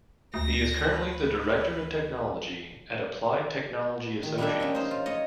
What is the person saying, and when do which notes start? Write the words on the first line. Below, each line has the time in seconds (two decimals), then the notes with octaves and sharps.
He is currently the director of technology at Applied Technology Associates.
0.34 D2 A#6
0.88 B4
4.23 D#3
4.38 G3 A#3 D4 G4 E5
4.60 C#4 D#5 E5
4.75 D#4 C5
4.91 F4
5.06 C#5 D#5